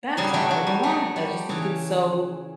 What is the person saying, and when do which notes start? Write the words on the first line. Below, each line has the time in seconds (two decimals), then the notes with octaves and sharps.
bathtub." I don't know why. I just think it's so
0.17 C#3 F#3 G3
0.34 F#3 A3
0.51 F#3
0.67 G3
0.83 F#3 A3
1.16 G3
1.49 C#3 E3